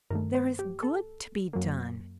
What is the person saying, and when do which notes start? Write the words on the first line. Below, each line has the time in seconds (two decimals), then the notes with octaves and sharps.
There is good to be done!
0.10 G2 D#3 A3 A#4
0.35 C5
0.59 G4
0.83 A4
1.53 F#2 F#3 A#3